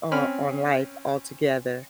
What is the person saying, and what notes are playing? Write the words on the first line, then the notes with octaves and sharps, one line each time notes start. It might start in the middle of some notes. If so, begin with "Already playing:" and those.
on on life altogether.
C4 C#4 B5 F6